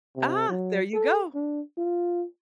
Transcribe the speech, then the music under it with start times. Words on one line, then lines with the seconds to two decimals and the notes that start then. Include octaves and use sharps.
Ah, there you go!
0.16 C3
0.49 F#3
0.94 A4
1.34 D4
1.77 F4